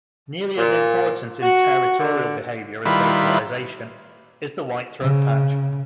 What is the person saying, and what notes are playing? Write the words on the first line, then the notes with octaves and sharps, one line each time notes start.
Nearly as important in territorial behaviour as vocalization is the white throat patch.
A#2
F#4
D3
D#3 G3 E4 F4 B4
C#3